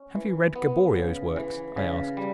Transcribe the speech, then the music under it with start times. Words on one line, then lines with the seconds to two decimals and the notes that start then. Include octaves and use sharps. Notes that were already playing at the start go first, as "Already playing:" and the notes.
"Have you read Gaboriau's works?" I asked.
Already playing: C#4
0.15 E3
0.56 B3
0.96 C#3
1.36 E3
1.77 C#3
2.17 G3